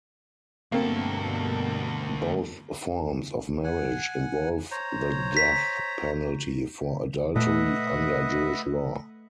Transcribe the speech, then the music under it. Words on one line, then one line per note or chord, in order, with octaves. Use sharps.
Both forms of marriage involve the death penalty for adultery under Jewish Law.
D2 G2 B2 A#3 C4 A4
F#5 G#5
C5 C#5 A#5
B6
A#2 A3 B4 D#5 E5 F#5